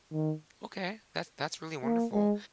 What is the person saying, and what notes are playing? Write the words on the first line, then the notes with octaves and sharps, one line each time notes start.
Okay. That's that's really wonderful,
D#3
A#3
G#3